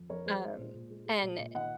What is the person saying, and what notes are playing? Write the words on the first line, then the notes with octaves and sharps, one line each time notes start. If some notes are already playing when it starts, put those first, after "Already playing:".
Um, and
Already playing: F2
F3 A#4 C#5
G#3 G#4 C5
G#3
A#2
A#2
G#3
G#3
A#2
A#2
D#3 D#5 F#5